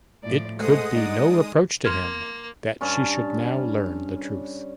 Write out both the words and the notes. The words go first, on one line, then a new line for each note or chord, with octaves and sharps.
It could be no reproach to him that she should now learn the truth.
A2 F3 D5
G#3 A3 C5 D#5 F#5 D#6
D#4 D5
A#3 C6 F6 G#6
G2 C#4 F5 A5